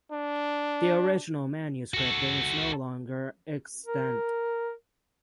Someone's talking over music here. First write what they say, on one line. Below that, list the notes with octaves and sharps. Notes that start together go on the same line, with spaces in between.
The original manuscript is no longer extant.
D4
F#4 A4
A#4